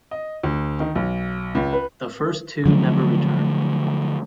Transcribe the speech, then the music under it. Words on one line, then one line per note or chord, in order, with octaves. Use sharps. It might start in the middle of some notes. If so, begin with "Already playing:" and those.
The first two never returned.
D#5
D2
D#3
B1
C#2
B4
D3 F3 F#3 A3